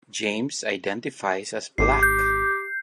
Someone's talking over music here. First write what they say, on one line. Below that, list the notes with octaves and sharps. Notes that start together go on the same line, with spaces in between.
James identifies as black.
G#1 G4 C7
G6